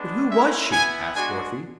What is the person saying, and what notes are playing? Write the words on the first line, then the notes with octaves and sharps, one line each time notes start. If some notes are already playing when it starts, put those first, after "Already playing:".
"But who was she?" asked Dorothy.
Already playing: G#3 B3 D4
G#3 C#4 E4 E5
B3 E4 G#5
G#3 D4 F#4 G#5